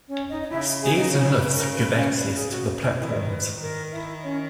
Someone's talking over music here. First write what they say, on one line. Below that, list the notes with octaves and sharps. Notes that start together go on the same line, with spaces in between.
Stairs and lifts give access to the platforms.
C#4 C#5
D#4 D#5
D#5
C#3 E4 E5
G#4 G#5
D#4 D#5
C#4 C#5
C#5
B4
A#4
B4
C#4 C#5
B4
G#4
F#4
E4
D#3 E4
B4
D#3 A#4
E4 E5
C#4 C#5